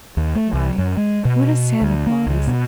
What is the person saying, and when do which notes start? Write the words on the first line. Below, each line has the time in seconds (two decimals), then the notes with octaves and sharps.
Why, what a Santa Claus!
0.17 D#2
0.35 A3
0.53 C2
0.78 F#2
0.97 G#3
1.25 B2
1.82 D2
2.07 A#3
2.26 C#2
2.47 B2